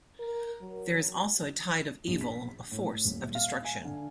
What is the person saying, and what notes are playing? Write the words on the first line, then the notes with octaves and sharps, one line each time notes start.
There is also a tide of evil, a force of destruction.
A#4
F#3
A#1
B6
A2
D#1
F5
G#5
D3